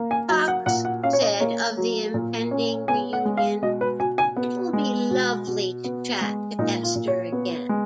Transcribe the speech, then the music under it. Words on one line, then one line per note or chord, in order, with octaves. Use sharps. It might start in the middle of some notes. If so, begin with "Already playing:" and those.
Cox said of the impending reunion: It'll be lovely to chat to Esther again.
Already playing: A#3
G#5
F#3 A#5
F#5
A#2 F#5
F#5
C#4 F5
C#5
D#5
A#3 C#5
F#3
A#2
C#4
B3 G#5
F#5
G#3
F5
B2 D#5
B4
B2 G#5
G#5
B3
G#3
B2
B2
B3
G#3
A#2 D#4
F4
A#2
C#5
B3
G#3